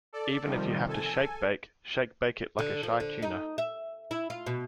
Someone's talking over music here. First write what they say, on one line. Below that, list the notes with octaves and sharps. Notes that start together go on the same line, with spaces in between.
Even if you have to shake-bake shake-bake it like a Shy Tuna.
A4 D5
C3 D#3 F3 G3
A4 G#5
D3
F3
D3
D#4
E5
E4
F4
B2